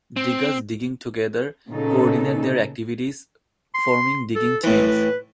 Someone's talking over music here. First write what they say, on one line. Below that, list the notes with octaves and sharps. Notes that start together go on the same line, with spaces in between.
Degus digging together coordinate their activities, forming digging chains.
C4
A#2 C#3 B3 D#4 A4
C6
A4
A2 E3 B4
B4